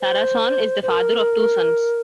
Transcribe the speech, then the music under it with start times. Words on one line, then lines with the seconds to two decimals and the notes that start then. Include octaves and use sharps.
Sarasohn is the father of two sons.
0.01 C5
0.82 C5
0.89 A#4